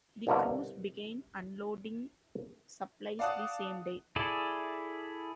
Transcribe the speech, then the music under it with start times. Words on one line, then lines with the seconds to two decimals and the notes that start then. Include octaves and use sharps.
The crews began unloading supplies the same day.
0.27 C2 G2 B2 D3 A#4 F5
3.19 D5 F5 F#5 A5 D#6 F#6
4.16 E4 G#4 A4 D5